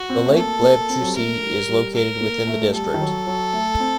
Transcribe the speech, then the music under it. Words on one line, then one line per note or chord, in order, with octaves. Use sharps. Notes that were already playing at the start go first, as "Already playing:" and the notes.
The lake Bleibtreusee is located within the district.
Already playing: F#4
C4
A3
A#3 A4
A#3
C4
F#3
G3
A3 A#4
G3
G3
A#4
A#3
A3
G3 A4
D#3
F#3
F#3
A3
C4